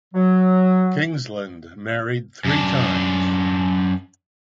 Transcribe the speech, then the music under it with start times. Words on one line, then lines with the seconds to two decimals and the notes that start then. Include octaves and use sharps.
Kingsland married three times.
0.14 F#3
2.45 F#2 D4